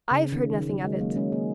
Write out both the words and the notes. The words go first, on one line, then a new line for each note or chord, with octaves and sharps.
"I've heard nothing of it."
C#3
D#3
D#3
F#3
G#3
F#3 A#3
G#3 C#4
A#3 D#4